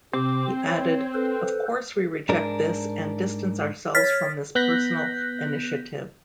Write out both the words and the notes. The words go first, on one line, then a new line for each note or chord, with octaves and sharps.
He added, Of course we reject this and distance ourselves from this personal initiative.
C3 C4 D6
C#5
A4 B4 C5
G#2 D4 A#4
C#5 F6 A6 B6
B3 F#6 G6 A#6 B6